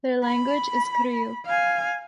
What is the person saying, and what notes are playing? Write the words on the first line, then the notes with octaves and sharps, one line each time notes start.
Their language is krio.
B5
F5 G#5